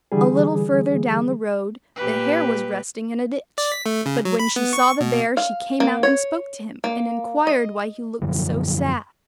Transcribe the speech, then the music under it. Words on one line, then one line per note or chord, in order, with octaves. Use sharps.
A little further down the road the hare was resting in a ditch, but when she saw the bear, she came out and spoke to him, and inquired why he looked so sad.
D3 E3 G3 G#4
A#2 G4 B4
D5
B6
A3
C#3
F#3
B5
B3
C#6
B2
F5
A#3
C#5
A#3
D#5
F#2 D3 F3 F#3